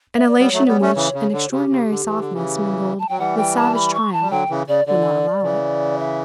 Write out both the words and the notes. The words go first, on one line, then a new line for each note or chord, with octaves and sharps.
An elation in which an extraordinary softness mingled with savage triumph would not allow it.
E5
D5
G3 B3 C#5
F#3 A3
G3 B3
A3 C#4
C#3 E3
C#3
D3
C#3 G4
C#3
D3
E3
D3
C#3 E3
A5
F#3 G5
E3 G3 F#5
G5
A5
B5
C#6
A5
G3
D3 F#3 G5
C#3 E3
C#3 D5
D3 D5
C#3 E3
E5